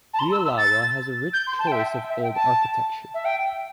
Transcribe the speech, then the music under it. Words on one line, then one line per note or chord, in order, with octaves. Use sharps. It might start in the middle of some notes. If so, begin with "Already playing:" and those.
Bielawa has a rich choice of old architecture.
A5
C6
E6
E6
A6
G6
C6
A5
G5
E5
E5
G5
A5
E5
G5